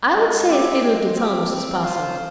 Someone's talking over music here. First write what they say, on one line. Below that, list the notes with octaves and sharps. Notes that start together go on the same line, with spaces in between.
I would say as little to Thomas as possible.
G#3
C4 G4
G#3
C4 G4
C4
F4 C5 F5